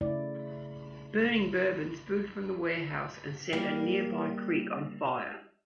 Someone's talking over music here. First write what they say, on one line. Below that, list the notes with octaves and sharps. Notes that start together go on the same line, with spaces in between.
Burning bourbon spilled from the warehouse and set a nearby creek on fire.
C#3 A3 E4 D5
G3 A#3